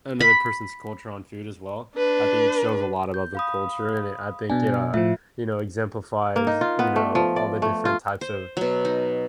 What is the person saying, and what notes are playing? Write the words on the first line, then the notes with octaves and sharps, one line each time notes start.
another person's culture on food as well. I think it shows a lot about the culture, and it I think it, uh, you know, exemplifies, you know, all the different types of
B5
D4 B4
G6
F5 B5 D#6
B2 D4 G#5
A2 F3 F4 E5
A#3
D#4
F4
B3
A3
F3
D5
A3
F4
C5
B2 F#3
D#4